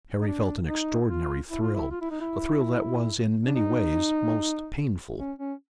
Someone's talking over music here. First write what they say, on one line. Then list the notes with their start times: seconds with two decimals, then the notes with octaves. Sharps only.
Harry felt an extraordinary thrill, a thrill that was, in many ways, most painful.
0.21 D#4
0.27 D4
0.68 D#4
1.09 F4
1.50 E4
1.62 F4
1.75 E4
1.91 F4
2.01 E4
2.11 D#4
2.21 E4
3.45 D4
3.55 D#4
5.18 C#4
5.39 C#4